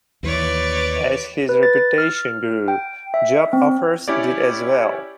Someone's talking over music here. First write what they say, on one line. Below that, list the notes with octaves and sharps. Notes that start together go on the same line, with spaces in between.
As his reputation grew, job offers did as well.
D#2 E3 B4 C#5 D5
B4
A6
F6
G5
E5
C4
C#4 E4 G4 C#5 D5